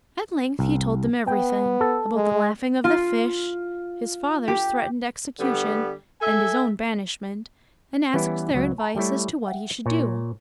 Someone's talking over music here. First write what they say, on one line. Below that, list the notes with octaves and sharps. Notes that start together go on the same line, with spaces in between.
At length he told them everything--about the laughing of the fish, his father's threatened execution, and his own banishment--and asked their advice as to what he should do.
C2
B3 G5
A4
G#3
F4
G4
D3 G3 B3
A4 E5 G#5
E3 G3 B3 C#4 E4
C#2 F#3
A5 A#5
G3 A3 E4 C#5
E5 F#5 G5
A#2 C#5